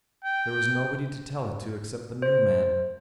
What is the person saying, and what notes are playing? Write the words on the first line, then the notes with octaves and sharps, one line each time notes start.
There was nobody to tell it to except the new man.
G5
C5